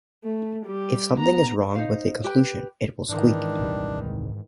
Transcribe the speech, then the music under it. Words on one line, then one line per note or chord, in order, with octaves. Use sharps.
If something is wrong with a conclusion it will 'squeak'.
A3
G3 G4
B3 A#5
D#4 C5 F5
G4 B4 G5
G#2 D#3 E3 D4
D#1 C2 G3